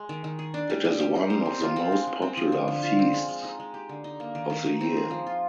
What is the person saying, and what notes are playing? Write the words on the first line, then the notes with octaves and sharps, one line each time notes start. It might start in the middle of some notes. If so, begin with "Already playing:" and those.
It is one of the most popular feasts of the year.
Already playing: G#3
D#3
D#3
G#4
D4
G3
G3
G4
D#4
C5
C4
F4
C4
G#3
G#3
C4
F3
D3
D3
F4
C4
G#3
G#3
D#4
G#3
G4
D3
D#4
A#3
D#3
D#3
D#4
C4
G#4
F3
F4